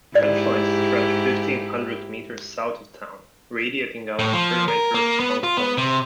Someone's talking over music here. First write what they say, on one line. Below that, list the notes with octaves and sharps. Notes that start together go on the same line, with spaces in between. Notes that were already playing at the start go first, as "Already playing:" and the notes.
Trenchlines stretched fifteen hundred meters south of town, radiating out to perimeter strong points.
G#2 E4 G4 D5
A2
F3
A#4
A#3
B3
F4
B3
C3